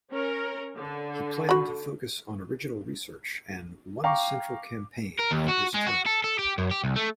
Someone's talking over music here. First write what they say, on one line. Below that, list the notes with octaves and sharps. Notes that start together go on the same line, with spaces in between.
He planned to focus on original research and "one central campaign" in his term.
C#4 A#4
D3
F#4 B5
F5 G5 A#5 C#6 D6
A#4
D#2
F#4
G#3
F#4
A4
A4
G4
F#2
G4
C2
A3